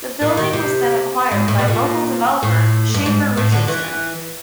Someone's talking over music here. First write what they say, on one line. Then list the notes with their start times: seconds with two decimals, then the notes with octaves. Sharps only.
The building was then acquired by local developer Shafer Richardson.
0.22 A#2
0.37 D#3
0.53 C3
1.31 G#2
1.48 A2
1.59 B2
1.68 A#2
2.43 A2
2.94 G2
3.06 G#2
3.37 A2
3.52 D3
3.68 E3